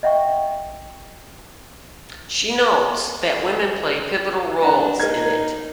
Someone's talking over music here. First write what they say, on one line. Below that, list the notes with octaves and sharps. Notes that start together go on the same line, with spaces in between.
She notes that women play pivotal roles in it.
D#5 E5 F#5 G5 C#6
D4 F#5 A#5
D#4 A#4 G#6